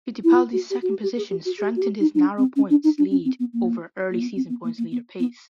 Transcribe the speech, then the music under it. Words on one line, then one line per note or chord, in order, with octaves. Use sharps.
Fittipaldi's second position strengthened his narrow points lead over early season points leader Pace.
E4
F4
F#4
G4
F#4
G4
G4
G#4
G4
F#4
G#4
G4
F#4
G4
D#4
D#4
D4
C4
C#4
D4
D#4
D4
C#4
C4
B3
A#3
A#3
B3
C4
B3
A#3
A#3
B3
B3